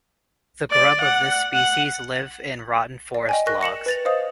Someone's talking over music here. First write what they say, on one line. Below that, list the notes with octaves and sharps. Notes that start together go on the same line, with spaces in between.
The grub of this species live in rotten forest logs.
D5
F#5
F#5
D5
D#5 G5 G#5
A#4 C#6 F#6 A#6
A#6 C#7 E7 F#7
B4 A6 F7
C5 D#5 F5 D#6